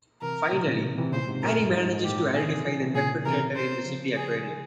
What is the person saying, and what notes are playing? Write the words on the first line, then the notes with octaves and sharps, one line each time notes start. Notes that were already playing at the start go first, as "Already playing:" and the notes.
Finally, Harry manages to identify the perpetrator in the city aquarium.
C3 E3 A#4
A#2 C#3
A#2 C#3
C3 E3
C3 E3
A#2 C#3 C5
G#2 C3
A#2 A#4
G2
G#2
G#2
A#2 G4
A#2 C#3 G#4
C3 E3
C#3 F3
C3 E3
A#2 C#3 G#4
C3 E3 A#4
C5
C#3 F3
G#4